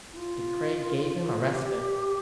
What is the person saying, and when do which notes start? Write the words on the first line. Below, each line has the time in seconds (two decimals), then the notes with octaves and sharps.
De Craye gave him a respite.
0.13 E4
0.17 F4
1.54 G4